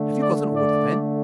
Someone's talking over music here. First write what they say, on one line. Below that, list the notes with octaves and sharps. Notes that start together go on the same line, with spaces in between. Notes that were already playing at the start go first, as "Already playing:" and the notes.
"Have you got an order, then?"
Already playing: D3 A3
D5
D5